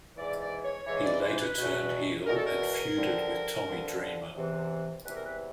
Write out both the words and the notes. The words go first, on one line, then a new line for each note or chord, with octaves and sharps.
He later turned heel and feuded with Tommy Dreamer.
G#2 E3 D5
D5
C#5
G#2 E3 C#5
D5
C5
B4
E2 B2
E2 B2 A#4
A4
A#4
G2 D3 F3
G2 D3 F3
E2 C3 E3
E2 C3 E3 B4
A#4
B4